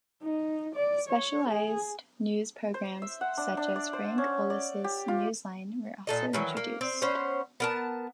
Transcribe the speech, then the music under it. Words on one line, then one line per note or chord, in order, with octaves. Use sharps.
Specialized news programmes such as Frank Olise's Newsline were also introduced.
D#4
D5
C#5
G#4
C5
E5
F#5
D4
D4
D5
C5
C#4
D5
G4
F4
A#2 A4 D#5
D#3 E3 F#3
A#3
C4
B3 C#4 C5
B3 A#4 A5